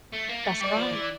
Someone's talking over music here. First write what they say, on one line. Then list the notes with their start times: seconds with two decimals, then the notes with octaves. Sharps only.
That's right.
0.12 A3
0.29 A#3
0.44 A3
0.61 G3 D5
0.76 F3
0.92 E3